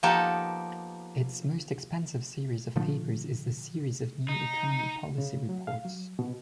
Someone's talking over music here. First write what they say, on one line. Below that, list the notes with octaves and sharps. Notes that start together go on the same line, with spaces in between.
Its most extensive series of papers is the series of New Economy Policy Reports.
F3 A#3 B3 D#4 G4 A4
A#2 D3 F3 A3
D#4
C#3
F#3
F5
F#3
B2